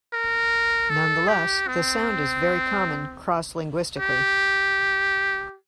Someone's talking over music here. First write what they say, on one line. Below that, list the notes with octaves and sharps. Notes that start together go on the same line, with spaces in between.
Nonetheless, the sound is very common cross-linguistically.
A#4
A4
G4
C4
G4